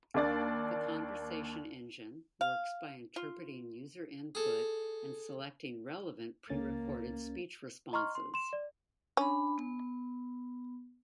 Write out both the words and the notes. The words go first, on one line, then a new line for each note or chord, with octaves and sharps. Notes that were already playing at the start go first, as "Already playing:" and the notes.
The conversation engine works by interpreting user input and selecting relevant pre-recorded speech responses.
D#2 A#3 D4 D5 A6
F5
F4
G#4 A4
C#2 A#3 C#4 A6
D#5 A#5 C6 C#6 F6
C6
C6 E7
D5
C#4 D4 B5
B3